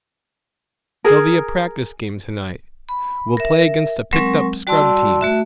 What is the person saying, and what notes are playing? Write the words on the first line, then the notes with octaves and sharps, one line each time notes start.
There'll be a practice game to-night; we'll play against a picked up scrub team.
G#4 A#4
B5
A#4 E5
F#3 G#3 C4 A#4 C#6
G3 F#4 D5 A5 C6 E6
A3 F#4 E5